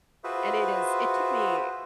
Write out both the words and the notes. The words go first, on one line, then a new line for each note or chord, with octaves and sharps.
and it is it took me
F4 F#4 G#4 B4 C5 E5